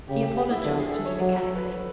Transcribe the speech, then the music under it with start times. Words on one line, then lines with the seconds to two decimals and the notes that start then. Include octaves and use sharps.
He apologized to me mechanically.
0.08 C#3 G4
0.22 G4
0.37 G4
0.51 E4
0.64 D3 D4
0.78 G#4
0.92 A4
1.05 C#5
1.19 F#3
1.38 A4
1.56 B4